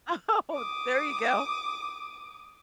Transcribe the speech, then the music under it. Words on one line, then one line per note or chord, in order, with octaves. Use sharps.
Oh, there you go.
D6 D#6